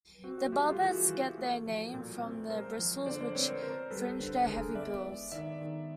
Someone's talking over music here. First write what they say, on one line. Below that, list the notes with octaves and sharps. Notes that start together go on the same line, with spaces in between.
The barbets get their name from the bristles which fringe their heavy bills.
C4 F#4
F#4
A3 F4 G4
F4 G4
E3 F#4 G#4
E3
A3
F3
A#2
C4
G#3 A#4 C5
F3
D3 C5 D5
C5 D5
C4 B4 C#5
A#4 C5
C4 A#4 C5
G3 A4 B4
D3
D3 G#4 A#4
B3 D5 E5
G#3
D#3 D5 E5
D#3